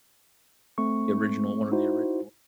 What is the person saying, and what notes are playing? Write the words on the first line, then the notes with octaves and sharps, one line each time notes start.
The original, one of the original.
A3 C4 C#6
D#4 E4 F#4 C5